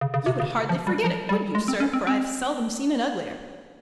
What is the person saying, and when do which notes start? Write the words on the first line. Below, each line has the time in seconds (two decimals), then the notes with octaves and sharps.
You would hardly forget it, would you, sir, for I've seldom seen an uglier.
0.01 C#3
0.14 C#3
0.26 C3
0.40 C#3
0.69 F3
0.87 G3
1.04 F3
1.29 G3
1.55 G#3
1.68 C4
1.80 C#4
1.93 C4
2.07 C4